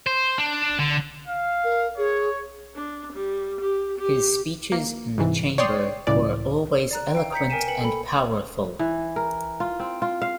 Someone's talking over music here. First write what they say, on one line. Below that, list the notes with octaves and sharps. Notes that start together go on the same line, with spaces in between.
His speeches in the chamber were always eloquent and powerful.
C5
D4
D3
F5
A#4
G#4 C#5
D4
G3
G4
G4
A#3
C2 G#2 E3
C#5 D5 G5 C6 D#6
C#2 A2 E3 D5
D5 A#5 F#6
F5 G5
A#5 G6 B6 C#7
A#4 G5 G#5 B6 D#7 E7
B4 G5 C#7 F#7
A4 B5
E3
A#4
F4
C4
F4
F5